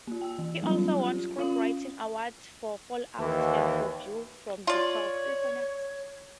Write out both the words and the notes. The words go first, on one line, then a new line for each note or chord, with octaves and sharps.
He also won scriptwriting awards for "Fallout" and for "View from the Top".
A#3 F4
G5 E6
E3
F#3 G3 B3 C#4 F4
F4 G4
C#4 F4 F5 D#6 F#7
D#2 E3
F4 C#5 D5